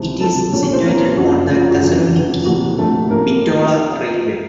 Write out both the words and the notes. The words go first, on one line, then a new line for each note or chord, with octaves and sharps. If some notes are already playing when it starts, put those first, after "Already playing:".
It is situated on the Thessaloniki–Bitola railway.
Already playing: C#2 C3 F3
C#2 C3 F3 A4 A5
C2 A#2 F3 C#4 C#5
C#4 C#5
C4 C5
C2 A#2 F3 A#3 A#4
F#1 F#2 F3 F#4
F#1 F#2 F3 F4
F4
F#4
F2 C#3 F#3
F2 C#3 F#3
C2 A#2 F3 F#4
C2 A#2 F3 A3 A4
A1 A2 F3 A#3 A#4